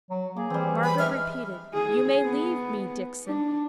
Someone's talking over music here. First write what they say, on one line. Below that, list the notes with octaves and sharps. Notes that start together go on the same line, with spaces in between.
Margaret repeated, 'You may leave me, Dixon.
F#3
A#3 G#4 D6
E3 G3 C4
B5
G#3 D4 E5 F6
G#4
B3
D4